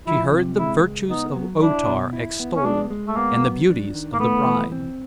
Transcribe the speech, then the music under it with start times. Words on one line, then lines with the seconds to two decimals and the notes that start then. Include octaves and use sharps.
She heard the virtues of O-Tar extolled and the beauties of the bride.
0.07 F3 E4
0.33 C3
0.58 G#3 E4
0.84 C#2
1.10 B3 D#4
1.36 F#3
1.62 D4 E4
1.88 B2
2.13 E4
2.40 B3
2.56 C#4
2.64 G#3 D4
2.90 G#3
3.07 A3
3.16 A#3 B3
3.42 F#3
3.69 D4
3.94 D#3
4.13 A#3
4.19 A3 B3
4.45 E3
4.72 C4